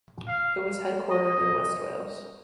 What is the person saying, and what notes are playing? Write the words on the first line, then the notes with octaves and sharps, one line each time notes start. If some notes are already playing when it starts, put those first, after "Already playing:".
It is headquartered in west Wales.
F5
D#5